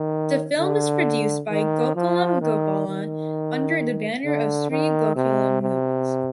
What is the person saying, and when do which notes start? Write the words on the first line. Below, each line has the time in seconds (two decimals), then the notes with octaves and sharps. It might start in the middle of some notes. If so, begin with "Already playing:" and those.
The film is produced by Gokulam Gopalan under the banner of Sree Gokulam Movies.
Already playing: D#3
0.58 D3
1.50 D#3
1.95 F3
2.41 D#3
2.87 D#3
4.25 D3
4.70 D#3
5.16 C3
5.61 C3